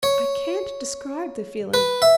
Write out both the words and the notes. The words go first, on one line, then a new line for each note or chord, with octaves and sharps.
I can't describe the feeling.
C#5
B4
E5